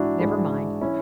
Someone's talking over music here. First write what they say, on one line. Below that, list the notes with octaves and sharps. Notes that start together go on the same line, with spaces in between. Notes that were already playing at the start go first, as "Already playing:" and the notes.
Never mind!
Already playing: G#2 E3 D4 E4 F#4
G#2 E3 E4 G#4
E3 C#4 E4